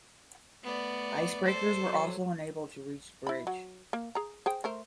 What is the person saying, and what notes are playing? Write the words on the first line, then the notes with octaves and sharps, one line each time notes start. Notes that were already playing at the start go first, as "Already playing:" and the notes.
Icebreakers were also unable to reach the bridge.
A3 B3 D5
A4 C5
F#3
E4 B5
F#3
A#3
G#4 A#5
G#4 C5 G5
A3 A#4 C5